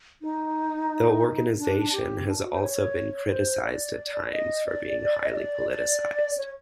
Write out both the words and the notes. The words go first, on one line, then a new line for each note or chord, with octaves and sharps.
The organisation has also been criticised at times for being highly politicised.
D#4
D4
G4
D4
F#4
C5
C#5
C5
D5
D#5
D5
D#5
D5
D5
C#5